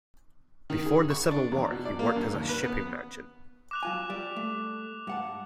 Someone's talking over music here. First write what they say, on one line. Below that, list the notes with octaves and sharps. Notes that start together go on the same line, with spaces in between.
Before the Civil War, he worked as a shipping merchant.
D#3
G#4
C#6
D4
E2
B2
D5
A#3
G2
D#2
B4
B3
D6 F#6 F7
F#3 F4 G#5
G3 D5
A3
G2 F#5 A5